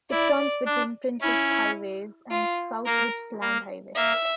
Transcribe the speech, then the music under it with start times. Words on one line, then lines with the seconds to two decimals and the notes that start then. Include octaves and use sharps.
It runs between Princes Highway and South Gippsland Highway.
0.11 E4 D5
0.66 D4
1.21 C#4 E4
2.31 F4
2.86 A#3 A#4
3.41 A#3
3.96 A#3 E5